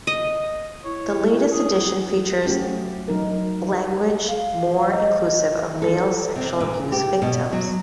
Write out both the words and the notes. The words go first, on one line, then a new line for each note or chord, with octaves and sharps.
The latest edition features language more inclusive of male sexual abuse victims.
D#5
E4 C#5
G#4
F#3 A3 C#4 F#4 G4
F#3 D#4 A#4
F5
D#5
D#5
A4
C3
A#2
G4
B2
F#3